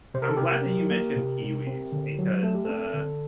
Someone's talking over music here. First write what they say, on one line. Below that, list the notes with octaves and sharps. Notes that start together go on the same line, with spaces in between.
I'm glad that you mentioned kiwis, because, uh,
C3 C5
A#4
A4
C3 G4 A#4
F#3
A#3
C3
C3
C4
D3
F#3
A3 A4
G4
C4 A4
D3